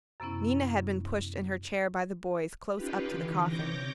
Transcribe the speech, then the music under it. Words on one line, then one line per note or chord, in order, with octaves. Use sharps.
Nina had been pushed in her chair by the boys close up to the coffin.
F#2 C3 B3 C#4 E4
C#4 D#4 F4 G4 B4
D3 E3
C3 C#5 D6 G6 A#6